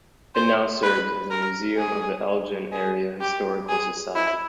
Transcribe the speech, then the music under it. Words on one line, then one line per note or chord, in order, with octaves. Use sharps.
It now serves as a museum of the Elgin Area Historical Society.
C5
B4
A#4
G#4
G#4
G4
G#4
E4